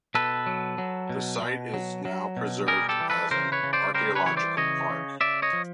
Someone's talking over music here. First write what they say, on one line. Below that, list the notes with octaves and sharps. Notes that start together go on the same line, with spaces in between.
The site is now preserved as an archaeological park.
B2 A4 B4
F#3
F#3
B2
B2
F#3
F#3
B2
G3 G#4 A#4
G4 A4
E3
A4 B4
C#3 A#4 C5
B4 C#5
C#3
C5 D5
G3 A#4 C5
B4 C#5
E3 C#5
C5 D5
C#3 C#5 D#5
C#3
C#3 D5 E5
C#5 D#5
F3